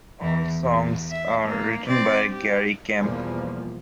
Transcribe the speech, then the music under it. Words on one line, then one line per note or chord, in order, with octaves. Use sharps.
All songs are written by Gary Kemp.
E2 E3
E2
E5
A#3
C4 D5
G4
E2 B2 F3 G3 A#3